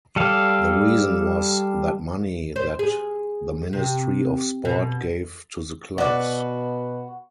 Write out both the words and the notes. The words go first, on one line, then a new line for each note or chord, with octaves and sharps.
The reason was that money that the Ministry of Sport gave to the clubs.
G3 A4 F5
C5
G#4
C3
B2
B2 F#4 B4 D5 E5